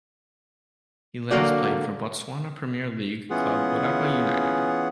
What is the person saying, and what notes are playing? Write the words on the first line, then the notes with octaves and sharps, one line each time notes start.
He last played for Botswana Premier League club Orapa United.
D3 F#3 A#3 F#4 D5
E3 B3 C#4 F4 G#4 F#5